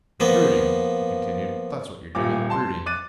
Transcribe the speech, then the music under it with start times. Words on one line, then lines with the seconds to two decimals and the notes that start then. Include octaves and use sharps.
You're brooding," he continued, "that's what you're doing, brooding.
0.20 F3 A#3 B3
2.15 D#1 A#2 D6
2.50 A5 C6
2.86 D6 F#6 A6 D#7